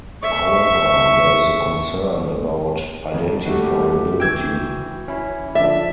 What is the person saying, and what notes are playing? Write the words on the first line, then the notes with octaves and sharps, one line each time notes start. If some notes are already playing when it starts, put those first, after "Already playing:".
However, there is a concern about identifiability.
E5 C#6
F2
G3 A3 F#4 G4
E3 F#4 G5 E6 G6 G#6
C#4 E4
D3 F3 D4 D5 E5